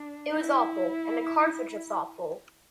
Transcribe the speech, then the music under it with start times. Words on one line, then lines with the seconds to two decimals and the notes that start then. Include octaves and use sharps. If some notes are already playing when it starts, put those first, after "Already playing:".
It was awful and the cards were just awful.
Already playing: D4
0.33 E4